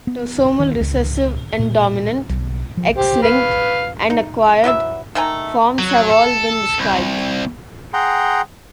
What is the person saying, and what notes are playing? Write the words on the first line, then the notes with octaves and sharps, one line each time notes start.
Autosomal recessive and dominant, X-linked, and acquired forms have all been described.
B3
D#3
C#2
A#2
B1
F3
G4 C5
B4 F5
D#4
E3 F#3 D5 E5
D#3 A3 G#5 A#5
F#3
A4
C2
G#4 F#5 G5 A#5 C6